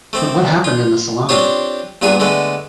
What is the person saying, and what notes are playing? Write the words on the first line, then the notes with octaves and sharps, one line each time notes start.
But what happened in the salon?
A3 C4 D6
F4
C4 D4 F4 G4 C5 C#5
G2 A#2 B3 G#4 A#4
D3 G#3 A3 B3